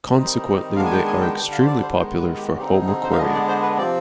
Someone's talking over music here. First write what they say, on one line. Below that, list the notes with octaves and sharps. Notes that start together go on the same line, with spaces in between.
Consequently, they are extremely popular for home aquaria.
D#3 G3 C4 D#4
D#3 G#3 B3 D4 F5
G#5
G5
G#5
G5
D3 G3 D4 G5
F5
C5
D5
C5
D#3 G#3 B3 C5
B4
G4
D3 G3 C4 D#4 G4
G#4
G#4
C5
F5
D3 G#3 B3 D4 D#5
D5
C5
B4
C3 F3 C4 D5